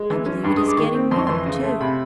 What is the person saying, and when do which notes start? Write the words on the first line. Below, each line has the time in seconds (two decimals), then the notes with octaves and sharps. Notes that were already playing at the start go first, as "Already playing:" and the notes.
"I believe it is getting nearer, too."
Already playing: G#3
0.10 E3
0.26 C#4
0.43 G2 B5
0.57 G#3 D#6
0.68 D6
0.77 D#3 C#6
0.94 C4
1.11 F2 C6
1.19 C#6
1.27 E3 C6
1.46 C#3
1.63 A3
1.80 C3 B5